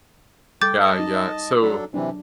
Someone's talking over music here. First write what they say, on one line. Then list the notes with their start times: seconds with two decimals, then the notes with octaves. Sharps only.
Yeah, yeah, so,
0.61 G3 A4 G5 D6 G6 A6
0.80 D#5 A5
0.99 D#4
1.61 F#3 D4 A4
1.94 C3 E3 F#3 D4